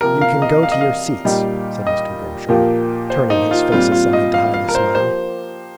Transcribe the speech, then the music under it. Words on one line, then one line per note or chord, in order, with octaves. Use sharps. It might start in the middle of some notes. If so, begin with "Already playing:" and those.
"You can go to your seats," said Mr. Grimshaw, turning his face aside to hide a smile.
C3 F3 A#3 G4 A#4
F5
D#5
F5
D#5
F5
A#2 G3 D#4 G4
D#5
A#2 F3 A#3 G4
C5
D#4
F4
A#2 G3 C4 D#4 F4
F4
D#5
F5
F5
A#4
C5
F3 A#3 G4 C5